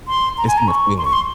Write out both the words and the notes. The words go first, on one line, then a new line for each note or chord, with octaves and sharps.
It's more feeling.
C6
A#5
G#5
A#5
C#6
C6
C#6
C6